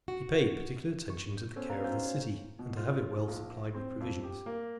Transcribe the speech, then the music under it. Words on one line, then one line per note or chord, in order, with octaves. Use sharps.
He paid particular attention to the care of the city, and to have it well supplied with provisions.
F#4
C#6
G6
B3 C#4 A4 C5 C#5
B4 F5 A#5
C#4 D#4 F#4 C5 F5 G6
C#5
B2
F4
A#1
C4
F2
G4
A#3